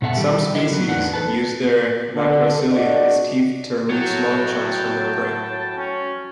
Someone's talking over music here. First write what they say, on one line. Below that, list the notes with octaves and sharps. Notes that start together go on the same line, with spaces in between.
Some species use their macrocilia as teeth to remove smaller chunks from their prey.
B2 C#4 A4 E5 F#5 A5
D#3 G3 G4
E4 G4 A4 A#4 D#5
F#3
E2 D4 D#4 B4 F#5
A4 B4 A5
D3
D4 F#4 G#4 D5 D#5
A2 F#3 G5 A5
C#4